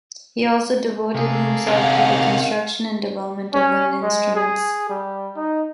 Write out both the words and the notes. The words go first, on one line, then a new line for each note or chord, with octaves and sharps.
He also devoted himself to the construction and development of wind instruments.
C3 A#3 G#4 A4
C3 C#4 A#4 D#5 F5 F#5
C#4
G#3
G#4
G3
D#4